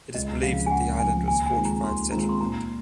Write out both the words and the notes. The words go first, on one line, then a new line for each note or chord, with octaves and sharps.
It is believed that the island was fortified settlement.
C#2 D#5
C#3 F3 F5
G#5
C#2 F#5
C#3 F3 G#5
D#2 G#5
G#5
D#3 G#3 C4 F4
A#5
D#2 C6
D#3 G#3 C4 F4 A#5
C6
A#2 A#5